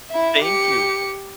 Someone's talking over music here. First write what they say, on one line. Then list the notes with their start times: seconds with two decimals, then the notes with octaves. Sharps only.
Thank you.
0.11 E4 E5
0.42 G4 C#7